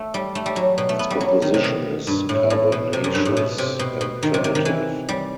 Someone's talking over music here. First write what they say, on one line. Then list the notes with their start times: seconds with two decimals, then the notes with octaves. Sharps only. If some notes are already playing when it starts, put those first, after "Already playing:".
Its composition is carbonaceous and primitive.
Already playing: A3
0.14 G3
0.35 A3
0.46 G3
0.56 F#3
0.78 B2
0.89 A3
0.99 B3
1.10 G3
1.21 F#3
1.42 D#3
1.54 C3
1.64 B2
2.07 G2
2.29 A2
2.50 A2
2.72 B2
2.93 C3
3.04 F#2
3.15 G2
3.25 A2
3.37 B2
3.58 C3
3.79 B2
4.01 B2
4.23 D#3
4.34 C3
4.44 C3
4.55 D#3
4.65 E3
5.09 G3